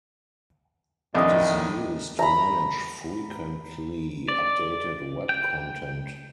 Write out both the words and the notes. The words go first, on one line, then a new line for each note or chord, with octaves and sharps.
It is used to manage frequently-updated Web content.
A1 F2 A2 D#3 D4 D#5 G#5 D#6
A#5 B5
D5
G5